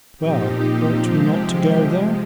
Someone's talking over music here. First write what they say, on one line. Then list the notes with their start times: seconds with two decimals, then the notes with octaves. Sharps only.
"Well, ought we not to go there?"
0.17 A#2 F3 C4 D#4 G4
0.95 C3 F3 G#3 C4 G4
1.74 C3 F3 G#3